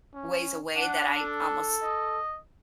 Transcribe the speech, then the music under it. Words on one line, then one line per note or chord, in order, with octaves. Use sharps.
ways away that I almost
C#4
D4 F#5
A4
D#5